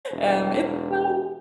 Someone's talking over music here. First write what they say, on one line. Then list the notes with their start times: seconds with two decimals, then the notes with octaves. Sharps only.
Um, it's, um,
0.12 E1